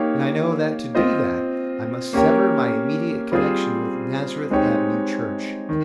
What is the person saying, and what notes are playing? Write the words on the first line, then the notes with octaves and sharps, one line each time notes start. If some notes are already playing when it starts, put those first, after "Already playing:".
And I know that to do that I must sever my immediate connection with Nazareth Avenue Church.
Already playing: A#3 D#4 G4 C#5 F5
C4 F4 C5 D#5
A#3 C#4 G4 A#4 C#5
G3 C4 F4 G#4 C5
G#3 C4 D#4 G4 C#5
D#3